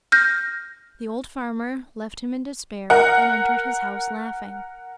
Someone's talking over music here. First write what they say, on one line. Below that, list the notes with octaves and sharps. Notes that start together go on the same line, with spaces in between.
The old farmer left him in despair, and entered his house laughing.
F6 G6 A#6
A#4 F#5